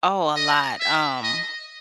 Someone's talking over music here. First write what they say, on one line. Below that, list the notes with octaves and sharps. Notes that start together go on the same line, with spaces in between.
Oh, a lot. Um,
D#5
E5
D#5